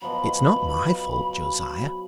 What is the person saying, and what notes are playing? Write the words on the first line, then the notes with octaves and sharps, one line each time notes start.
It’s not my fault, Josiah.
B2 F3 F#3 B5